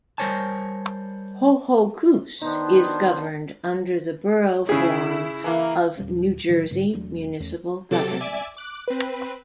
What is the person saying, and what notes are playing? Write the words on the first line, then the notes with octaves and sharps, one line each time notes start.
Ho-Ho-Kus is governed under the Borough form of New Jersey municipal government.
G3 A#4 C5 C#5 G#5 A5
D#3 B3 D4 D#4 C5
C#3 E4 G#4
E3 A#3 E4
D#1 F#2 G3 C#4
A2 D#3 F#3
G#2 D3
E1 F#3 A3 D4
E2 A3 C#4
C3 F#3 A4 D6 A6
D5 E5 G#5 D6
D6 F#6
C4 B4